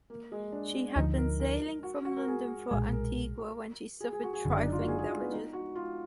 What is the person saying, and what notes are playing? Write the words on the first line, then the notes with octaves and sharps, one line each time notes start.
She had been sailing from London for Antigua when she suffered trifling damages.
A#3
G#3
D4
D2 D3 F3 D#4
A#4
A#4
F#4
F#4
A#4
G#4
B1 A#2 G#3 G#4
A#4
G#4
G#4
F#4
G#4
F#1 F#2 D3
D4
D#4
F4
F#4
G#4
G#4
F4
B3
D#4
F#4
F4